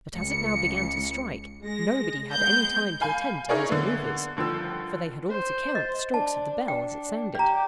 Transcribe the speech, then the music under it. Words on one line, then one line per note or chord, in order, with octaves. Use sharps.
But as it now began to strike, nobody had any time to attend to his manoeuvres, for they had all to count the strokes of the bell as it sounded.
C#2 C#7
G#3 A#6
G#3 B3 G6
F5 G#5 B5 G6
D#4 E4 G#4 A#4 C#5 D5
D3 A#3 B3
G1 D3 D#3 F3 E6
C5
D#5
D4 A5
D4 G5
G4 D5 A#5